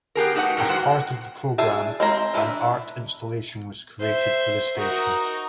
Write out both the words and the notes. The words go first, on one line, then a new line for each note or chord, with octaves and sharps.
As part of the program, an art installation was created for the station.
B3 G4 G#4 A#4
A3 D#4 F#4 B4 D5 F#5
F#2 A2 A#4 G5
G#3 A#3 F#4 C5 F#5
D4 G#4 E5 A5
G#3 C4 A#5
E3 D4 E4 F#4 E5
C5 E5
D#4 F#4 A#4